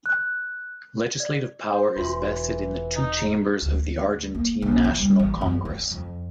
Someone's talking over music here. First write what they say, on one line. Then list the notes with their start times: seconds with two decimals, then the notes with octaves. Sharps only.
Legislative power is vested in the two chambers of the Argentine National Congress.
0.06 F#6
1.20 D5
1.70 C5
1.96 E1 E3 F4 F#4 C6
2.96 D#4
3.62 D2
4.35 A#3
4.62 A#1
4.84 E4
4.98 G3
5.19 A1
5.41 F#2
5.65 C#4
5.91 F2